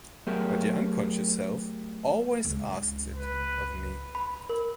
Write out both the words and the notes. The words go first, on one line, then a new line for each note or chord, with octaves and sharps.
But your unconscious self always asks it of me.
F#3 A3 B3 G4 G#4 A#4
C#2
B4
B5
A#4